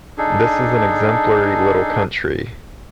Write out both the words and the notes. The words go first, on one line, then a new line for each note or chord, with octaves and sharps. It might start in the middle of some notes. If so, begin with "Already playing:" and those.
This is an exemplary little country.
D4 D#4 G#4 A4